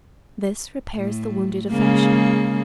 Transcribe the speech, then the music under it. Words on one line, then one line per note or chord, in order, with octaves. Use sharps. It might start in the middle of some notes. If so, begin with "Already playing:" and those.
This repairs the wounded affection.
A2
C#3 G#3 A#3